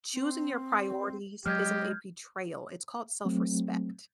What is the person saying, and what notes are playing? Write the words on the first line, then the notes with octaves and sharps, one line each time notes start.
choosing your priorities isn't a betrayal, it's called self-respect.
C4
F#3 G#3 G4 D#5 F6 G6 G#6
F#3 A3 C4